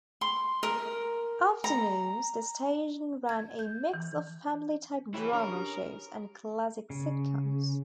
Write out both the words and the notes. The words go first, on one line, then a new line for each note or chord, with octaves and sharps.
Afternoons the station ran a mix of family type drama shows and classic sitcoms.
C6
A#4
A#5
G#6
G6
E3
F#3 E4 G#4 B4 G5 B5
C#4 D4 A#4
G4
C#3